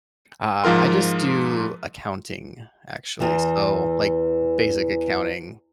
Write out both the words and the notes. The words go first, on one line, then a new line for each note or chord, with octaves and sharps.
Uh, I just do accounting actually, so, like, basic accounting,
G#2 F3 F4 A#4 C6
E2 E3